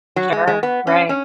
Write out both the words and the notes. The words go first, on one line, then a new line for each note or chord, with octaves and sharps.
Sure, right.
F#3
G#3
G#3
B3
C#4
C#4